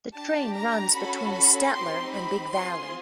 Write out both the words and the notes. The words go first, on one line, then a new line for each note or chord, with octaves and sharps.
The train runs between Stettler and Big Valley.
D4 G4 A5
A#5
C#4 F#4 A4 B5
B5
C4 D#4 G4 C6
B5
C4 F4 G#4 C6